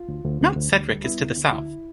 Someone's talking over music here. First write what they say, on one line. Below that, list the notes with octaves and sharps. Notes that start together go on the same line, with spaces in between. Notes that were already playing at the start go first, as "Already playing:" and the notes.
Mount Sedgwick is to the south.
Already playing: F4
D2
D2
D2
D2
D2
G3
B3 E4
D2
D3
D2 E4